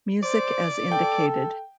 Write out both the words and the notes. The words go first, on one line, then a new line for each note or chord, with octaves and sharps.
Music as indicated.
C5 D5
A4 G5